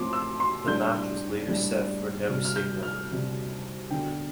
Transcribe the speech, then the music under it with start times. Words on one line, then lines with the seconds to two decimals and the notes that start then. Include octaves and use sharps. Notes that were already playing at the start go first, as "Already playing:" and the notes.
The match was later set for Never Say Never.
Already playing: A1 A2 F3 C4 C6 D6
0.13 E6
0.40 C6
0.67 A#1 A2 G3 D4 G6
1.48 A#1 A2 G3 D4
2.29 D2 C3 G3 F6
2.45 F6
2.56 G6
2.83 F6
3.10 D2 C3 G3
3.90 E1 D2 D3 A3 G5